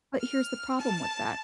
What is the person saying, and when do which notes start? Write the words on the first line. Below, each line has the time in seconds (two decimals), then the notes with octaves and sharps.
But here's the problem with that.
0.19 F6
0.77 A5